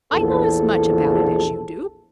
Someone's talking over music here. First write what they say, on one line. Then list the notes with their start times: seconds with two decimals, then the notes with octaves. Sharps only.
"I know as much about it as you do!"
0.13 A#1 E2 A4